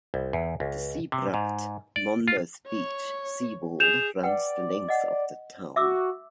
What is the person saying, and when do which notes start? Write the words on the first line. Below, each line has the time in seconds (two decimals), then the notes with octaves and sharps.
The Sea Bright-Monmouth Beach Seawall runs the length of the town.
0.14 C2
0.33 E2
0.60 C#2
1.12 C3
1.34 G#2
1.96 D5
2.28 F4
2.67 C#5
3.80 G#4 G6 E7 F7
4.23 B4 D5 F#5 G5
4.88 D#5 F#5
5.76 F#4 E5 D6 E6